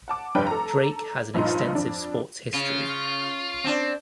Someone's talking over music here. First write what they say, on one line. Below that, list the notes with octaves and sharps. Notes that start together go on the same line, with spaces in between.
Drake has an extensive sports history.
F#5 A5 D6
F1 G2 D4 B4 G5
A4 A#5
A#1 G2 A#2 D#4 C6
F2 D4
C#3 F4
C4 D4